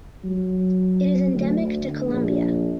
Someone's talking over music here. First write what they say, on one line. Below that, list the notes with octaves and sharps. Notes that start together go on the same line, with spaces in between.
It is endemic to Colombia.
F#3
D2
A#1